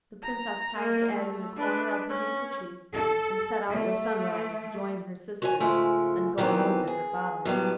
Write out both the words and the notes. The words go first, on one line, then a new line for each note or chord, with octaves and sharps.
The Princess tied the egg in a corner of her handkerchief, and set out with Sunrise to join her sisters and go home to her father.
A#5
A#3
A3
D4 B4
C#4
A4
A3
F#4 C#5 G#5
G#2 C#3 F3 G#3 A3
D#3 E3 F#3 B3 C4
G#4
A2 F#3 G3 B3